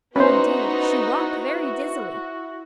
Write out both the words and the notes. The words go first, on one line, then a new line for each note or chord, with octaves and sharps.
And indeed, she walked very dizzily.
B3 C#4 D#4 E4 F#4 B4 C5